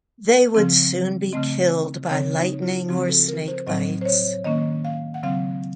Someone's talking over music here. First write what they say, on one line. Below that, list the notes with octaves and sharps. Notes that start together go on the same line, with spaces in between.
They would soon be killed by lightning or snakebites.
C#3 F3 C4
C#3 A3 C4 D#5
C#3 F3 C4 C#5
D#4
F4
C#3 F3 C4 F#4
A4
A#4
C5
A2 F#3 C4 D#5
C5
C#5
D#3 A#3 C#4 D#5
F5
F#5
C#3 F#3 C4 F5